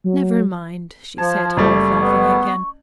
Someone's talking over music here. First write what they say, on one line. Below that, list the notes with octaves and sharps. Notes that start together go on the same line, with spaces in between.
"Never mind," she said, half laughing again.
F#3
F3 A5 G#6
F#1 G3 A3 C#6
B3